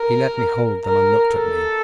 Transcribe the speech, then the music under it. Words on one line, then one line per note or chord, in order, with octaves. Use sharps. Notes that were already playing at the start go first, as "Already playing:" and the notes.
He let me hold them and looked at me.
Already playing: A#4
A#4
A4